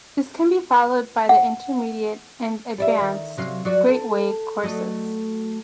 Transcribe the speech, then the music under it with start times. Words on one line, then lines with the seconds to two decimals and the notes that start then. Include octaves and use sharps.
This can be followed by the Intermediate and advanced, 'Great Way' courses.
1.29 F#5
2.78 G3 D5 E5
2.99 D#3 A#4
3.37 C3 F#3 F5
3.65 F#3 F#4 D5
3.88 A4
4.63 F#3 A3 D#5